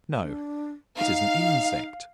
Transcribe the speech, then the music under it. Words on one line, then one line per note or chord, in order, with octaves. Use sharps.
No, it is an insect.
D4
D#4 F5